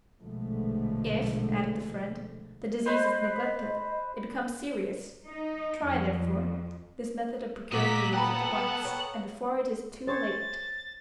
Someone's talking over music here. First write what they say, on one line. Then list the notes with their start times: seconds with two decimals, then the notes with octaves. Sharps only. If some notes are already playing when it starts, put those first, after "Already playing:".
"If," added the friend, "the disease is neglected it becomes serious; try therefore, this method of procuring relief at once, and before it is too late."
0.21 A#1 B2 D3 F3 G#3 A3
2.86 B4 C5 D#5
5.26 D#4
5.85 F2
7.72 A#2 F#3 F#4 D#5 F#5 A#5 D6 B6
8.13 B3 A4 F#5 G5 A#5 B5
8.85 C#5
10.07 C5 C#5 A6